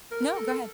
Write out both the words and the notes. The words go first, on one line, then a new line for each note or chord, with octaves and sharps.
No. Go ahead.
A#4
A4